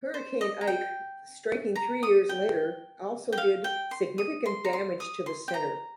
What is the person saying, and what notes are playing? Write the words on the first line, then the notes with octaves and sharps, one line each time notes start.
Hurricane Ike, striking three years later, also did significant damage to the Center.
C5
D#5
A#5
G5
A#5
D#6
G5
G5
F5
G5
C6
D#6
C6
A#5
C6
D#6
C6
G5
A#5